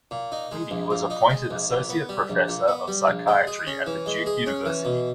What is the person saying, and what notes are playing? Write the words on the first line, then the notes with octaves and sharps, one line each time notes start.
Tweedy was appointed associate professor of psychiatry at the Duke University.
A#2
D#4
G#3
A#1
A#2
D#4
G#3
A#1
A#2
B3
G3
A#1
A#2
B3
G3
A#1
G#3
G#4
C#4
E3
G#3
G#4
C#4
E3
B2